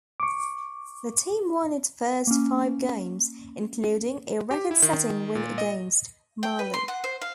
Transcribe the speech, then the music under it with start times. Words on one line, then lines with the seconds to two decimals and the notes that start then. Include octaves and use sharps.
The team won its first five games, including a record-setting win against Mali.
0.20 C#6 D6
2.27 A#3 C#4
4.51 G4
4.71 E4
4.82 D#3
5.35 A#2
5.58 D#5
6.43 G5
6.59 B4
6.74 C6
6.88 F#5
7.04 C5
7.22 F5